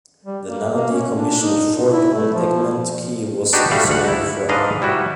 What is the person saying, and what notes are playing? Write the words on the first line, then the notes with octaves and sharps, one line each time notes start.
The now decommissioned fort on Egmont Key was also named for him.
G3
A#3
A#3
C#4
D4
D#4
A#2
E4
A3
F3
D4 D#4 F#4 G4 B4
G3 A3 C#4 F#4 F5 F#5
D2 F#5
E4
G#2 D4 B4 D#5 F5
G3 E4 F#4